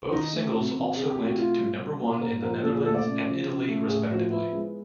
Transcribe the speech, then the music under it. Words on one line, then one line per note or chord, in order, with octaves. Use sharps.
Both singles also went to number one in the Netherlands and Italy, respectively.
D#3 D#4
A3
C3 F#4
E3
C3 G#4
G4
A3
F#4
B2 F4
G3
B2
A#3
A#2 A#4
F3 A#4
A#2 A4
G#4
A3 A4
D5
C#3
F3
C#3
A3
A2 G#4
F3 F#4
B3 E4
G#3